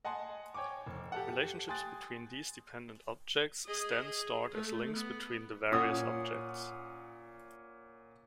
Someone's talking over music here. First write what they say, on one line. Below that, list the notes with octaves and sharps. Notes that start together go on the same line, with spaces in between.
Relationships between these dependent objects is then stored as links between the various objects.
D#5 F#5 G#5 A5 C6
C#5 G5 G#5 C#6 D6
F1
G4 A4 F#5
G5 G#5 C6 D#6 F#6 A6
G#4 D#5
G#4
A3
B3
A#2 C#4 F#5 D#6